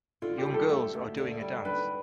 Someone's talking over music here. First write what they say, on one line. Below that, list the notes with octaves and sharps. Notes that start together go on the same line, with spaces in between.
Young girls are doing a dance.
D3 F4
G4
G3
A4
D2
D2
D3
G3
D4 B4